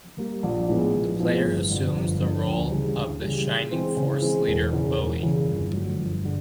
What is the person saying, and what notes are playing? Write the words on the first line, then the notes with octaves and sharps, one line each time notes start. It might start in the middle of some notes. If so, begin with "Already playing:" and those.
The player assumes the role of the Shining Force leader, Bowie.
G3 A#3
A#1
A2 F3 G#3 B3
A#1
A2 F3 G#3 B3
G1
F2 D3
G1
F2 D3
D2
C#3 E3 G3
D2
C#3 E3 G3
C#3
E3 G#3 C4
C#3
E3 G#3 C4
E1
E2 C#3 E3
E1
E2 C#3 E3
G1
F2 D3 F#3 A3
G1
D3